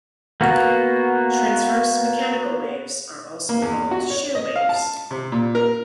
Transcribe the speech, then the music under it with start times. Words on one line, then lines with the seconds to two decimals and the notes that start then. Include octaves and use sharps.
Transverse mechanical waves are also called "shear waves".
0.41 A#3 B3 F#4
3.49 A#3
3.62 E2
3.91 F#4
4.10 C#5
4.35 D#5
4.56 F5
4.69 A5
5.11 C3
5.32 A#2
5.55 A#4